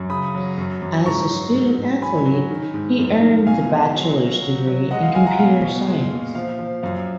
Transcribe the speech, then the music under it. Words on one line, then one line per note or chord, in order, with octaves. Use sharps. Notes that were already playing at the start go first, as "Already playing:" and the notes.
As a student-athlete he earned a bachelor's degree in Computer Science.
Already playing: F#2
C#3 B5 D#6
F#3
F#2
F#2
G#2 A#5 C#6
F#3
G#2
G#2
F#3 G#5 B5
F#3
D#3
G#2
F#2
D#3
B2 F5 G#5
G#3
F#3
F#3
F#3
F#3
G#3 D#5 F#5
F5
G#3 F5 G#5
F#5 A#5
B2 F5 G#5
B2
G#3
A#2
F3 F5
F3
F#2 F5